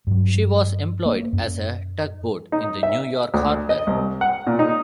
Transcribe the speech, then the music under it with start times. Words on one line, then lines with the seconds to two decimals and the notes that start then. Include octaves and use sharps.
She was employed as a tugboat in New York harbor.
0.07 G2 F#3
1.06 A#3
1.33 F#2
2.52 D#4
2.83 E5
3.34 D2
3.69 D#5
3.87 C2
4.21 F#5
4.47 A#2
4.59 D#4